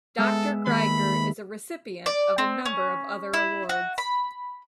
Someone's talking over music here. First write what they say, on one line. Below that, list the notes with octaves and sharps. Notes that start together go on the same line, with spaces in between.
Doctor Grygar is a recipient of a number of other awards.
G#3 B3 A4 E5
D#2 B5
D5
C4
C#4
E4
F#4
B5